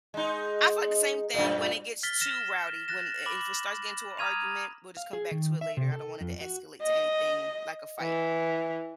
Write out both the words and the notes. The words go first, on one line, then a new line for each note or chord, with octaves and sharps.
I felt the same thing when it gets too rowdy, when i if it starts getting to an argument, we'll just come back to it later, I don't want it to escalate to anything like a fight.
G#3 D#4
F#2 A#2
F6 A6 B6 G7
F6 A#6 E7
F#6 A6 A#6 E7
B5 D6 F#7
A#5 D#6 F6 G#6 D#7 F7
F5
G#4
D#3
E5
C3
A4
F2
F#4
D#5
E3